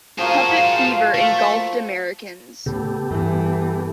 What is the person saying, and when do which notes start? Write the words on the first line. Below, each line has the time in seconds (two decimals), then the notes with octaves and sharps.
"Puppet-fever" engulfed Americans.
0.18 F3 F#4 G#4 A#4 C5 F5
1.15 A3
2.66 A2 C#3 B3 G4 A4
3.11 G2 E3